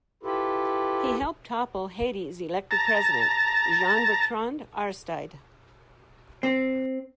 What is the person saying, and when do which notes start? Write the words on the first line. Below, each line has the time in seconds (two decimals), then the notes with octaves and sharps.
He helped topple Haiti's elected president, Jean-Bertrand Aristide.
0.23 E4 F4 G4 A4 B4
2.71 A5 A#5
6.43 C4